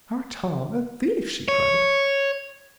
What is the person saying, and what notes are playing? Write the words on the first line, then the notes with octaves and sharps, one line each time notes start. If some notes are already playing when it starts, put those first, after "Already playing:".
"Our Tom a thief!" she cried.
C#5